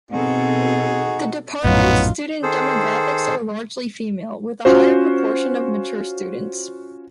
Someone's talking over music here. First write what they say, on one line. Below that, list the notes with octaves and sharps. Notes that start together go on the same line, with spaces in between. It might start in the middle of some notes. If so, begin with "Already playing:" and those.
The department's student demographics are largely female, with a higher proportion of mature students.
B2 C4 D#4 F#4 G#4 A4
A#1 F#2 A2 F#3 B3 C#4 D#4 F4
D#3 G#4 A4 C5
C#4 F4 F#4 C5